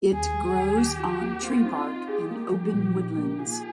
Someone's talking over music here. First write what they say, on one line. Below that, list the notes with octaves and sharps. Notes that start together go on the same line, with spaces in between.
It grows on tree bark in open woodlands.
D#2 G#4
G3
D#2
D#3 G4
F4
A#3
C4 F4
D#4
D#4
G4 G#4
A#3
F3
A#2
D#4
A#3
F4 G#4